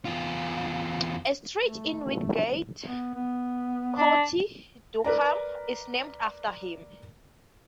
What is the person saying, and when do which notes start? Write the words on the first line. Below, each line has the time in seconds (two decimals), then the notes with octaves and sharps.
A street in Wingate, County Durham is named after him.
0.05 E2 F4
1.64 A3
2.88 B3
3.14 B3
3.98 D4
5.04 A#4 B4 D5 A#5